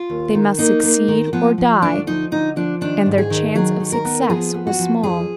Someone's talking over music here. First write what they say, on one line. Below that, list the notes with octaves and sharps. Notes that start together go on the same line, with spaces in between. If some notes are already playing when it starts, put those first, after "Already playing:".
They must succeed or die, and their chance of success was small.
Already playing: F4
D#2
D#3
A#3 D#4
A#3
D#3
F3 B3
F3
D2 D4
F3 D#4
D3 D#4
F3 D4
D#3 D4
G#2
G#4
D#3
F#3 G#4
D#3
A#4
B3
F3 G#4
B3
F#4
F3
F2 G#4